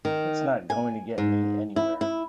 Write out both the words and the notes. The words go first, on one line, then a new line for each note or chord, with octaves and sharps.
It's not going to get me anywhere.
D#3
G#5
G#2
E4
E4